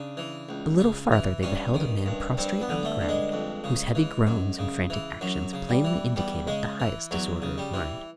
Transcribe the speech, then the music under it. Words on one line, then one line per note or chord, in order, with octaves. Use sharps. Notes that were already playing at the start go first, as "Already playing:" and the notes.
A little farther they beheld a man prostrate on the ground, whose heavy groans and frantic actions plainly indicated the highest disorder of mind.
Already playing: C#3 D4
E3
C#2
C#3
E3
G2 C#4
D#3
G2
G2 C4
B3
D3
A3
G2
G#3
F2
C#3
E3
F#2
C#3
E3
F#2 F#3
C#3
G3
E3
E2 G3
C#3 G#3
E3
E2 F#3
C#3
G3
E3